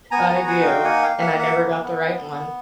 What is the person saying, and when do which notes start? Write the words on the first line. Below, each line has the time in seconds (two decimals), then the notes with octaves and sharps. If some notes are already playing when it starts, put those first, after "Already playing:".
I do, and I never got the right one.
0.11 B3 G#5 A#5
0.29 G#5 A#5
0.35 F#4
0.47 F#5 G#5
0.59 D#4
0.66 F5 G5
0.84 A#3 F#5 G#5
1.02 F5 G5
1.09 A#3
1.21 E5 F#5
1.33 A#3
1.39 E5 F#5
1.57 B3
1.82 B3
2.06 B3
2.31 B3